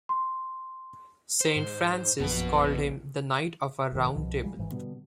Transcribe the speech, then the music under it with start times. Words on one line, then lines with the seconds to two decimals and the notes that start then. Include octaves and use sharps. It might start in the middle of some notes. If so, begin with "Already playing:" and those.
Saint Francis called him "The Knight of our Round Table".
0.09 C6
1.41 C5
1.56 G#2
2.20 A#1 F#2 F3 B3 F#4 B4
3.92 A1 G2 D#3
4.15 C2 B2 F3
4.44 D3 F3 G3 G#3
4.58 G#1 G#2 E3
4.72 B2 D3 G3 B3